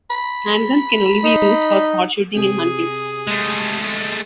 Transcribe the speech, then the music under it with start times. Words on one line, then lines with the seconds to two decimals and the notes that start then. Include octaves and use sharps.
Handguns can only be used for sport-shooting and hunting.
0.10 B5
1.24 D#4
2.35 C3 C4 G4 G#4
3.27 G#3 A3